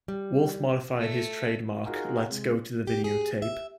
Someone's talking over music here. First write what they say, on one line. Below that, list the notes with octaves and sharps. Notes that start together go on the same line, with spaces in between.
Wolf modified his trademark Let's go to the videotape!
G3
A3
D#4 F4 F#4 G#4 A#4
C3 G#3
G4
G#4
E5